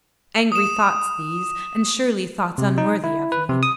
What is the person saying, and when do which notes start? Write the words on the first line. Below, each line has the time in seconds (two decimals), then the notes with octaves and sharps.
Angry thoughts these--and surely thoughts unworthy of me?
0.52 D#6 E7
2.58 C3
2.78 D#4
3.04 E4
3.32 B4
3.49 C3
3.63 D#6